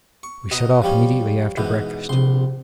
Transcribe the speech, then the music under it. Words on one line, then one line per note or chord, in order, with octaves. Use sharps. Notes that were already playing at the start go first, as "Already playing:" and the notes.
We set off immediately after breakfast.
C#6
B2 D#5 A#5
F3 G3 C#4
G#2 B2 E3
A#1 C3 C6